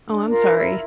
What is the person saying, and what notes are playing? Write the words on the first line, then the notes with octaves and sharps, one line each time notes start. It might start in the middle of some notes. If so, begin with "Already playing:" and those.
Oh, I'm sorry.
D4
F4 A#4
E4